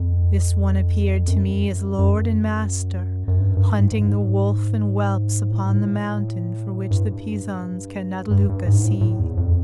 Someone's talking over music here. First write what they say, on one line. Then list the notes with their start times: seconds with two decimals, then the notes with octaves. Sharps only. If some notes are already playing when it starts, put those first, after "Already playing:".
This one appeared to me as lord and master, Hunting the wolf and whelps upon the mountain For which the Pisans cannot Lucca see.
Already playing: F2
1.28 F#2
1.99 F#2
3.28 F#2
3.39 G2
3.57 G2
3.74 G#2
3.92 G#2
4.04 G2
4.09 G#2
5.50 A2
5.63 G#2
5.76 A2
6.91 G2
8.31 G2
8.49 G2
8.67 G#2
8.84 A2
9.01 A2
9.19 E2
9.37 F2